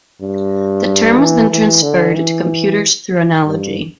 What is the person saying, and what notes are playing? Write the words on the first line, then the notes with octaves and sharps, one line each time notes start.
The term was then transferred to computers through analogy.
G2
E3
E3
D3
E3
G2